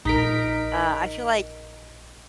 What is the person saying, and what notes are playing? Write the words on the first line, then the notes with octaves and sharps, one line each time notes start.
uh, I feel like,
A#1 D#4 A#4 B6 D7